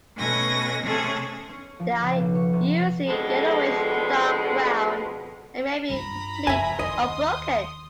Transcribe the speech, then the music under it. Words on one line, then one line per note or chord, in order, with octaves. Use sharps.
They are usually yellowish to dark-brown, and may be complete or broken.
B2 A3 C#4 G#5 A#6
C3 A3 C#4 G#4 A4
C#4
F3
C#3
B1
C#5
C3
F2 B2 D3 G#3
G2 F4 A#5 B5
F#1 F2 E5 G#5
D#2 D#5 C6 D#6